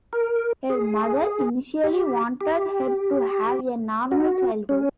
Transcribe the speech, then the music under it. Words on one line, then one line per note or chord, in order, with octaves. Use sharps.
Her mother initially wanted her to have a normal childhood.
A#4
G#4
G4
G4
F#4
C#4